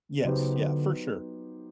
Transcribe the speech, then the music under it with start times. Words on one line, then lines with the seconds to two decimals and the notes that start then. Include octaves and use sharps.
Yes, yeah, for sure.
0.25 C#3 F#3 B3 D#4 G4 C5
0.58 D3